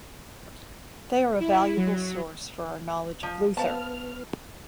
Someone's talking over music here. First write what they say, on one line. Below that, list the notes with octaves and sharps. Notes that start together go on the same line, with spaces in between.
They are a valuable source for our knowledge of Luther.
E4
F#3
F3
B3 C5 F5 A5 F6